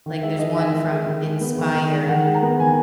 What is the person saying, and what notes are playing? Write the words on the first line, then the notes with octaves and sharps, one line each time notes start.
like, there's one from Inspire
D#3
G#3 E5
D#4 D#5
D#3 E5
D#3
G#3
D#3
G#3
B3
D#3
D#3
G#3
D#3 F#5
G#3
A#5
B3
D#3 G#5